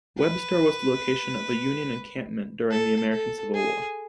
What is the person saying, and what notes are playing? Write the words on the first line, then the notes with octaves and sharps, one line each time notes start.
Webster was the location of a Union encampment during the American Civil War.
B4
A4
A4
G#4